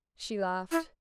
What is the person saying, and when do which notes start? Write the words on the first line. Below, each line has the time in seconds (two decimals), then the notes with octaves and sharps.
She laughed.
0.71 E4